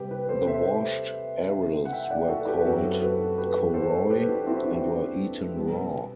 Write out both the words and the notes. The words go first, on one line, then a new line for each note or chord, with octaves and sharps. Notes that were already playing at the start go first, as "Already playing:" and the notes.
The washed arils were called "koroi" and were eaten raw.
Already playing: C3 G3 C4 G4 B4
G4 B4
A4 C5
C5 E5
F#5
E5 G5
D5 F#5
F#4 A4
G4 B4
F#2 F#3 C4 F#4 A4
B4
F#4 A4
G4 B4
A4 C5
G4 B4
D4 F#4
C4 E4
D4 F#4
B2 G3 B3